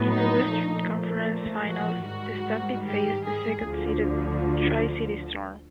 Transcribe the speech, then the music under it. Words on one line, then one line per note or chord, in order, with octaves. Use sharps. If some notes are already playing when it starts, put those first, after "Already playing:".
In the Western Conference Finals, the Stampede faced the second seeded Tri-City Storm.
Already playing: A2 F#3 B3
D#4
A#2 F3 A3
F#4
G#2 D#3 G3 F#4
G4
G#4
D2 D3 F3